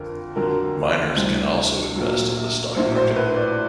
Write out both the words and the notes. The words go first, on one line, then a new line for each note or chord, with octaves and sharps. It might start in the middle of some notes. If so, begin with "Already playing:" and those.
Minors can also invest in the stock market.
Already playing: F2 D3 A#4
F2 D3 F#3 A#4
D2 C3 E3 G3
A#1 A#2 F#3
A#1 A2 F#3 C5
C5
B4
D5